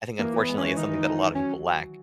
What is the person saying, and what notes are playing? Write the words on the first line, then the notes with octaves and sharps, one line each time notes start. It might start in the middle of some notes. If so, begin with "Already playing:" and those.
I think unfortunately it's something that a lot of people lack.
E3 A#3
E3
B3
G#3
E3 C#4
D#3 D#4
E3
F#3 C#4